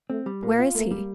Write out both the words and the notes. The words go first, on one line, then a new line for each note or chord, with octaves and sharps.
"Where is he?"
A3 C4
G3
A#2 A#3
F4
A3 A#3
G3